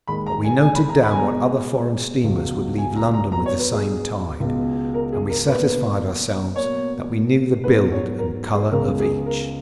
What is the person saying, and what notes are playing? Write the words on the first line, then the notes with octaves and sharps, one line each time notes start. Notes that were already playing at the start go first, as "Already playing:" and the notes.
But we noted down what other foreign steamers would leave London with the same tide, and we satisfied ourselves that we knew the build and color of each.
D#2 D#3 G#3 B5
A#5
G#5
G#5
B5
A#5
B5
G#5
B2 G#3 B3 A#5
C#2 B2 F#3
G#5
A#5
A#5
B2 F#3 B3 A#5
C#5
B4
G#4
C#2 B2 G#3 B3
A#4
G#4
A#4
B2 A#3 B4
B2 A#3 C#5
G#2 F#3 B3 B4
C#5
A#4
G#4
C#2 C#3 G#3 B3 A#4
G#4
A#4